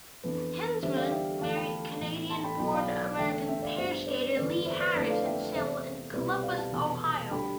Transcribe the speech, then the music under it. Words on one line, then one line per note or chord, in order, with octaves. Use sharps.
Hinzmann married Canadian-born American pair skater Lee Harris and settled in Columbus, Ohio.
F2 E3 B3 D4 B4
E2 D3 G3 C5 E5
D5 F5
E5 G5
E2 D3 F3 A3 D4 F5 A5
G5 B5
A2 E3 B3
A5 C6
A5
G5 B5
B1 B2 B3 E4 G5 B5
D5 F5
D5 F5
E2 D3 A3 E5 G5
E5 G5
D5 F5
G2 F3 B3 D4 C5 E5
B4 D5
G1 F2 E3 B3 B4 D5
C5 E5
B4 D5
F2 D3 F3 A3 E4 B4 D5
D5 F5
E5 G5
E2 C3 E3 C5 E5
C2 B2 G3 C4 E4 B4 D5
D5 F5
F5 A5
F1 E2 B2 B3
A5
D2 D3 G3 G5 B5